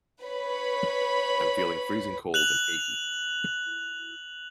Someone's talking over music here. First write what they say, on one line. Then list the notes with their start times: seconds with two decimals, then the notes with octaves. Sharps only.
Am feeling freezing cold and achy.
0.24 B4 C#5 B5
2.34 F#6 F7 F#7